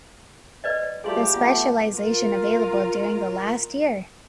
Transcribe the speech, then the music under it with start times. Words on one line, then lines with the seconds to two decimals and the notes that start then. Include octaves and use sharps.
The specialization available during the last year.
0.64 B4 D5 D#5
1.04 G3 A3 F4 G4 G#4 C6
1.34 A3 B3 F4
1.96 F4 A#4